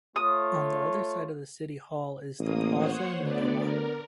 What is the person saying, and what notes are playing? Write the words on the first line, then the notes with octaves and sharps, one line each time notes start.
On the other side of the City Hall is the Plaza Nueva.
A3 F4 C#5 D#6
A1 A#3 D#6
C5 C#5 F#5
D2 D3 B3 D5
A#4